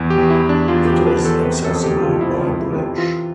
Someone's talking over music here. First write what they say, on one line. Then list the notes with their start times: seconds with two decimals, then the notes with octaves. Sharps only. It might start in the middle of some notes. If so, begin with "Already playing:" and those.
It is accessible by bridge.
Already playing: E2
0.10 G4
0.18 E2
0.30 E4
0.43 E2
0.49 D4
0.68 E2 F4
0.87 G4
0.94 F3
1.07 B4
1.19 E2
1.25 A4
1.45 C3 B4
1.65 A4
1.71 F2
1.84 G4
1.96 F3
2.02 F4
2.21 C3 E4
2.41 F4
2.47 F2
2.60 E4
2.73 C3
2.79 E4
2.98 E3 F4